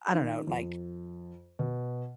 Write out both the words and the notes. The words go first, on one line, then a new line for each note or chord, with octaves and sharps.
I don't know, like,
D#3
F2
B2